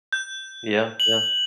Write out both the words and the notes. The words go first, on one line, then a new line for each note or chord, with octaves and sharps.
Yeah, yeah.
G6
F#7